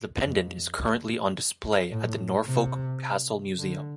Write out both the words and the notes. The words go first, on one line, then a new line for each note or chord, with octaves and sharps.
The pendant is currently on display at the Norfolk Castle Museum.
F2
A2
C3
D3